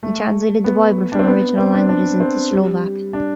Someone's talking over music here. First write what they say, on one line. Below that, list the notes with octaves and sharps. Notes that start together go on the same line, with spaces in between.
He translated the Bible from original languages into Slovak.
A3
B3
D4
C4
B3
C4
D4
D4
C4
G3
D4